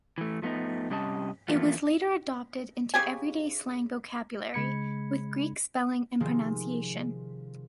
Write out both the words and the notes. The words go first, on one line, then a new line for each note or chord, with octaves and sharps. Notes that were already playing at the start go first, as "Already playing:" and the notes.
It was later adopted into everyday slang vocabulary, with Greek spelling and pronunciation.
E3 A3
F3 A3 B3 D#4
C3 G3 C#4 D#5 A5
E3 F3 A3 A#3 C#4 F4
C#3 G4 G#5
C#3 G#3 B5 G#6 C#7
C3 D#3 F3 G#3